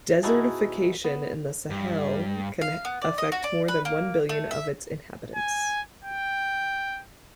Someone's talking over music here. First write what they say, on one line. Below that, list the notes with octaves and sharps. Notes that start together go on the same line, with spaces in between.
Desertification in the Sahel can affect more than one billion of its inhabitants.
B2 D#4 E4 F#4 G#4 A5
B3
G2
F5
B3
D5
D#5
F#4
D5
B4
A#3
A3
E5
G#5
G5